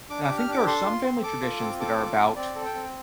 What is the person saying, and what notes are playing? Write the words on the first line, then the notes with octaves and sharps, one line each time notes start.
And I think there are some family traditions that are about
D4 D6
G4 D6
F6
D4 D6
A4 C6
F4
C4
A4 D6
F4
C4
A4 D6
F4
C4
C4 D5
A4
G5
C4